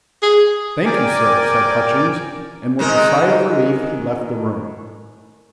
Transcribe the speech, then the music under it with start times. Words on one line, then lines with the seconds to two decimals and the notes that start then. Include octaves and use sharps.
"Thank you, sir," said Hutchings, and with a sigh of relief he left the room.
0.22 G#4
0.85 A#4 D5 G5 G#5 D6
2.79 D#3 G#3 A#4